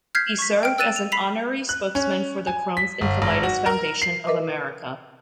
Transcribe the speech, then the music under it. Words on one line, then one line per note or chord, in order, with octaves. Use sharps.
He served as an honorary spokesman for the Crohn's and Colitis Foundation of America.
F6 G6 G#6 B6 C7
C#6 B6
G5 F6 D7
E6 F#6 A6 D#7 E7
F7
B5 B6 C7 F7
F#6
C#4
G#5
B6
G1
G#1
F#4
A#4
C7
A#4 B4 D#5 E5 D6